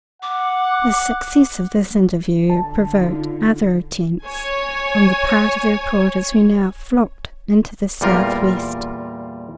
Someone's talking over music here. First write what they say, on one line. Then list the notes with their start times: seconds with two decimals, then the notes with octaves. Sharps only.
The success of this interview provoked other attempts on the part of the reporters who now flocked into the Southwest.
0.22 F#5 D6
2.50 D3 A5
3.00 D#4 F4
4.23 C#5 G#5
8.01 E2 A#2 G3 F4 A#4